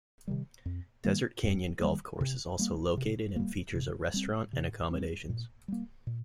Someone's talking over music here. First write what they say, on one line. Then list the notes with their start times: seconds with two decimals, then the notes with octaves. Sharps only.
Desert Canyon Golf course is also located and features a restaurant and accommodations.
0.28 C3 D#3 G3
0.66 F2
1.05 D#3 G3 A#3
1.43 F2
1.82 D#3 G3 A#3
2.21 C3
2.59 G3 A#3
2.97 C3
3.36 G3 A#3
3.75 C3
4.14 G3 C4
4.53 C3
4.91 G3 C4
5.30 A#2
5.68 G3 A#3
6.07 A#2